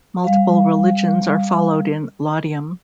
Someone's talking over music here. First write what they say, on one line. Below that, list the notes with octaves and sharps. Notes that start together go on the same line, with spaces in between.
Multiple religions are followed in Laudium.
G3 F5